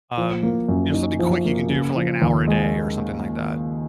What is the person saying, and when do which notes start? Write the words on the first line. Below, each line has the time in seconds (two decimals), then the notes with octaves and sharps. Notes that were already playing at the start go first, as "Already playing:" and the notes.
um, you know, something quick you can do for, like, an hour a day or something like that.
0.18 F3
0.43 A#3
0.69 F#2
0.93 D#4
1.19 F3
1.45 A#3
1.70 C#3
1.96 F3
2.22 D#2
2.47 G#3